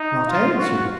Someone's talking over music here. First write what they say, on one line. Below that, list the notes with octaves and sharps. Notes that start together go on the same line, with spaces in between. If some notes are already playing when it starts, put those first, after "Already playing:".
'What ails you?
Already playing: D#4
F4
F#4